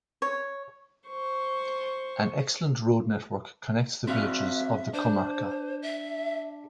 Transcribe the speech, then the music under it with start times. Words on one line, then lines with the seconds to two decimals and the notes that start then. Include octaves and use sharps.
An excellent road network connects the villages of the comarca.
0.22 C#5
1.07 C5 C#6
4.07 C4 F#4 E5 F5
4.93 D4 C5
5.82 E5